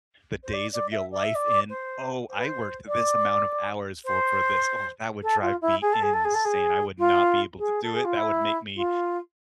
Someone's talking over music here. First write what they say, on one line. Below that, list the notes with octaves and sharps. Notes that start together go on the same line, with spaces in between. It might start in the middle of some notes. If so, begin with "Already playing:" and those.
the days of your life in "Oh, I worked this amount of hours for for this." Oh, that would drive me insane, I would not be able to do it, that would make me
C5
D5
D5
E5
D5
E5
D5
C5
C5
B4
C5
D5
C5
A4
F4
E4
G#4
A4
G#4
A4
G#4
A4
G#4
F4
G#4
A4
G#4
F4
E4
F4